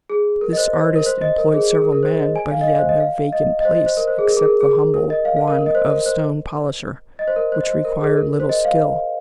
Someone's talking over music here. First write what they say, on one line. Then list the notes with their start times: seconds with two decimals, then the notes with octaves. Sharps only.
This artist employed several men, but he had no vacant place except the humble one of stone polisher, which required little skill.
0.10 G#4
0.41 A#4
0.53 D#5
0.57 C5
0.73 C5
0.96 A#4
1.06 C5
1.22 D#5
1.38 A#4
1.54 G#4
1.71 G#4
1.82 A#4
1.92 A#4
2.03 C5
2.19 D#5
2.36 G#5
2.51 F5
2.61 D#5
2.68 F5
2.79 C5
2.89 D#5
3.00 F5
3.33 D#5
3.60 D#5
3.65 C5
3.75 D#5
3.86 C5
3.97 A#4
4.07 C5
4.19 G#4
4.29 A#4
4.37 G#4
4.45 A#4
4.61 G#4
4.94 A#4
5.10 D#5
5.25 F5
5.36 F5
5.48 A#4
5.59 A#4
5.66 D#5
5.75 C5
5.90 A#4
6.06 C5
7.19 D#5
7.28 C5
7.36 A#4
7.52 C5
7.61 D#5
7.68 C5
7.85 A#4
8.00 G#4
8.17 A#4
8.40 C5
8.49 D#5
8.65 F5